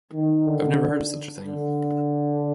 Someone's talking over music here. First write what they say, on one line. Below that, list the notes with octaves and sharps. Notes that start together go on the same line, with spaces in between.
I've never heard of such a thing.
D#3
D3
D3